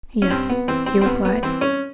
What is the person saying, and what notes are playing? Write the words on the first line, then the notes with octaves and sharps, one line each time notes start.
"Yes," he replied.
C#4
G2 C4
B3
E3 C4
C4
C4
G2 B3
B3
E3 C4
C#4